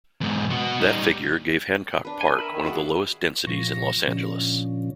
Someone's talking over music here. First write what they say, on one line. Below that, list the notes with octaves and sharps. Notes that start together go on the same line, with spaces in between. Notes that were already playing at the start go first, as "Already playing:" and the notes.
That figure gave Hancock Park one of the lowest densities in Los Angeles.
E2 G#2
B2 F#4
G3 D#4
D4 B4
G#5
A#4 E5 B5
D#3
F#4 G#4 D5
A#2 F3 C#6 A#6
A#2 D3 F3 C#4